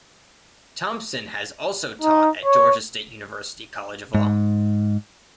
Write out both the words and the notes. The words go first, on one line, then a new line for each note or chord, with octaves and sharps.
Thompson has also taught at Georgia State University College of Law.
D#4
C#5
G#2